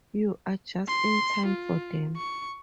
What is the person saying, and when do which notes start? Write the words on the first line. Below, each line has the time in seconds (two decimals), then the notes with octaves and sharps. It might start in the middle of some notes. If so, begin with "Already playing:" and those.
You are just in time for them.
0.88 C6
1.46 F4
2.17 C#6